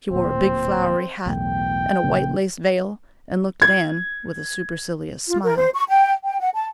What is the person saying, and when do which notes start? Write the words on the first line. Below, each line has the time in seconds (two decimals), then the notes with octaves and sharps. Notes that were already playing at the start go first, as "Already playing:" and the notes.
She wore a big flowery hat and a white lace veil and looked at Anne with a supercilious smile.
0.11 D1 A#2 C4
1.26 B1 E2 A2 G5
2.03 A#1 C#3 A#3
3.62 G#6
5.27 F4
5.44 A#4
5.56 C5
5.74 C#6
5.89 G5
6.24 G5
6.39 F#5
6.54 A5